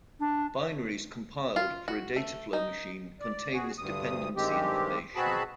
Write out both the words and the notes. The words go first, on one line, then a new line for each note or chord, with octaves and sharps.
Binaries compiled for a dataflow machine contain this dependency information.
D4
F4
F#4
A3
D#4
D5
F#4 G#4
D2 G2 D#6
G2 D#3 G#3 C4 G4
B2 C4 F#4 G#4 A5 B5